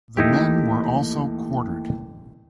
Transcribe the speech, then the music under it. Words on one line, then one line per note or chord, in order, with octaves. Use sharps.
The men were also quartered.
D#2 E3 A3 D#4 E4 G4